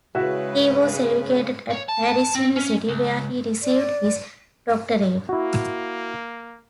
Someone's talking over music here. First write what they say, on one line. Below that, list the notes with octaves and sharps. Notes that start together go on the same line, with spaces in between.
He was educated at Paris University, where he received his doctorate.
C#3 G#3 E4 F#4 B4 E5
C#5
A5
C4
C#4
C#2
D5
A#3 E4 F#4